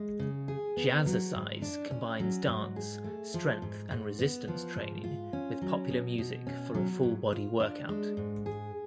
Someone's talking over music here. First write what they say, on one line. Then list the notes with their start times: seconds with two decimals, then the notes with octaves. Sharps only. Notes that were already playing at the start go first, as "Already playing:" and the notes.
Jazzercise combines dance, strength, and resistance training with popular music for a full-body workout.
Already playing: G#3
0.19 C#3
0.48 G#4
0.77 B3
1.06 F#3
1.35 G#2
1.62 D4
1.91 C#4
2.20 F#3
2.47 G#2
2.76 G#4
3.04 A3
3.34 F3
3.62 G#2
3.91 G#2
4.19 B3
4.48 F3
4.76 G#2
5.04 F4
5.33 C#4
5.62 F#3
5.90 B2
6.18 B2
6.47 C#4
6.75 F#3
7.03 G#2
7.33 F4
7.60 D4
7.89 G#3
8.17 G#2
8.46 G#4